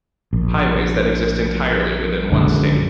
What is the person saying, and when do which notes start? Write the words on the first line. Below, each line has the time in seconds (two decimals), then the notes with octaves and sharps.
Highways that exist entirely within one state.
0.33 A#1
2.32 A#1 F#2 D3 G#3